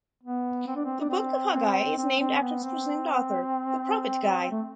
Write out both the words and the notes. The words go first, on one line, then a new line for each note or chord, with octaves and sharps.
The Book of Haggai is named after its presumed author, the prophet Haggai.
B3
C4
D4
C4
D4
C4
C4
C4
C4
B3
C4
A3